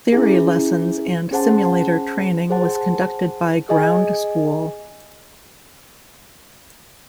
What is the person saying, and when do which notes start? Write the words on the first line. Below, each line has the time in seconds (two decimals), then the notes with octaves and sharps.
Theory lessons and simulator training was conducted by "Ground School".
0.12 C#4 E4 G#4
1.31 C#4 G#4 C5 F#5 A5
2.50 G#4 C5 F#5 A5
3.69 G#4 D#5 G#5